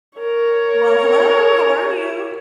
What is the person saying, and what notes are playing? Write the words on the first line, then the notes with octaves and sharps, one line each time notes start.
Well, hello. How are you?
A#4 C#5